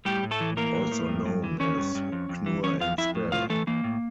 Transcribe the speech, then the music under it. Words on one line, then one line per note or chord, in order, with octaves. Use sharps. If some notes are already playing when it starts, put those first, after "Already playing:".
Also known as knurr and spell.
A2 G3 G4
A2
A3 A4
E3
E3 A#3 A#4
A2
A2
G2
G2
E3
E3 C#4 C#5
G2
G2
F2
F2
E3
E3 C#4 C#5
F2 F4 F5
F2 E4 E5
A2
A2 F4 F5
E3 A3 A4
E3 A#3
A2